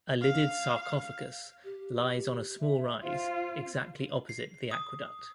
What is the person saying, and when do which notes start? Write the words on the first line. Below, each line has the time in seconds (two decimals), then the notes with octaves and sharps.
A lidded sarcophagus lies on a small rise exactly opposite the aqueduct.
0.21 F5
1.64 G4
2.60 E5
3.03 F4 C5
4.29 C7
4.71 D#6